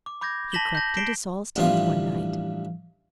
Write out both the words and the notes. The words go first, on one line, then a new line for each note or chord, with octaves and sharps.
He crept into Saul's tent one night.
D6
B5 D6 G6 G#6 A#6
A5 A#6 B6 E7 F#7 G7
G6 A#6
B6 C7 D7 E7 G7
A1 G2 E3 F3 F4 C6